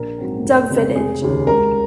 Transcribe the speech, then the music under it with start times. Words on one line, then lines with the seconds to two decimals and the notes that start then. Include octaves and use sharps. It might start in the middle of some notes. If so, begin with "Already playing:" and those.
Duck Village.
Already playing: A#1 A#4
0.18 G#2 F#3 C4
0.44 F1
0.71 F2 C#3 G#3
0.95 F1 G#4
1.22 D#2 C#3
1.47 C#2 A#4